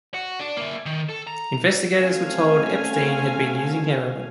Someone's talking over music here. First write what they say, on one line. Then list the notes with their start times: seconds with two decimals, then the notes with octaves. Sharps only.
Investigators were told Epstein had been using heroin.
0.14 F#4
0.40 D4
0.57 A#3 E5
0.86 D#3
1.09 A4
1.27 A#5
1.98 A3 C4 C#4 F#4 F5 G#5